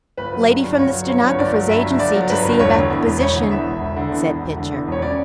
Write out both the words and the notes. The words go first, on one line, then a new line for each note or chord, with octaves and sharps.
"Lady from the Stenographer's Agency to see about the position," said Pitcher.
G1 B4
F#3
G2
G1
G1 C#5
F#3
G2 C#5
G1 C#5
G1 D5
F#3
G2 E5
G1
G1 D5
F#3
G2 B4
G1
E1 C#5
D3
E2
E1
E1 C#5
D3
E2 E5
E1
E1
D3
E2
E1
E1
D3
E2
E1 C#5
C#4 D5